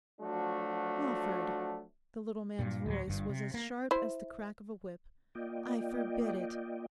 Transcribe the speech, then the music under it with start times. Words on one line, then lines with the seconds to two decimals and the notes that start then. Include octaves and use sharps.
'Lawford!' the little man's voice was as sharp as the crack of a whip; 'I forbid it.
0.21 F3 F#3 A3 D4 F#4
2.59 G2 A#2
2.86 D2 A2 F#3
3.08 G1 G2
3.29 C3
3.54 A#3
3.91 E4 C5
5.35 A#3 F4 D5 D#5 G5